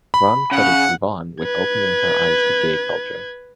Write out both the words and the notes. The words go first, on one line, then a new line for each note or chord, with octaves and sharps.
Grahn credits Yvonne with opening her eyes to gay culture.
B5
C#3 F#5
B4 G#6